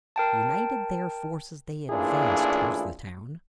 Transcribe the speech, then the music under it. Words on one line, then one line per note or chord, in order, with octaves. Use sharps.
Uniting their forces they advanced towards the town.
A#4 G5 A5
A1 A#2 D4 E4 F4 G#4